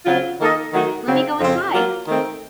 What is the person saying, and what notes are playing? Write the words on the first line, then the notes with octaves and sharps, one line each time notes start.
Lemme go inside!
C#3 F#3 C4 F4
D#3 A#3 D#4 A4 D#5
D#3 F#3 A3 D#4 F#4
C#3 F#3 C4
F2 C#3 F3 C4
F#3 A#3 F4
D#3 A3 C4